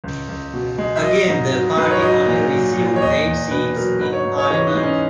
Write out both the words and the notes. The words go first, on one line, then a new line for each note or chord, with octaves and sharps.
Again the party only received eight seats in parliament.
C#2
C#2
B2
G#3
E5
F#3 D#5
G#2
F#3
G#2 B4
C#5
F#3 D#5
A#2
F#3
A#2
C#5
E2 D#5
E2
B2 B4
F#3 A#4
G#2 B4
C#5
G#2
C#5
D#5
E3 C#5
D#4
G#3
C#4